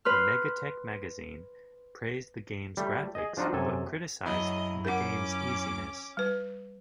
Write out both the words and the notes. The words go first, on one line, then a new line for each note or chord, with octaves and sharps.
"MegaTech" magazine praised the game's graphics, but criticized the game's easiness.
B4 C6 F6
G3 A3
G#4 D#5
F3 D4 D#4 F4 F#4
F#2 C3 A4 G#5
F#2 F#3 E4 D#5
C#4 A#4 F#5 D6
G3 B4